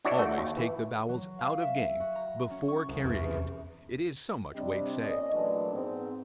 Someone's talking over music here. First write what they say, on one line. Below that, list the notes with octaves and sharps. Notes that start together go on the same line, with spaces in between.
Always take the bowels out of game, before carrying it; it is so much weight saved.
D4 E4 F#4 C#5 D5 E5
A3 F#4
D#2
E3
F#3
F5
E5
F#4
A#5
C#4
C#6
C2
E2
E2
C3 G3 C4 D4 D5 D#5
A#2 C#4 D5 D#5
A#2 E3 F#3 G#3 A3 D4
G#2 B3 C4